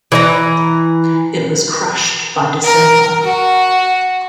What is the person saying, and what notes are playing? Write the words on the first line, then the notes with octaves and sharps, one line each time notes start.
It was crushed by December.
E3 E5 A#5
A#4
F#4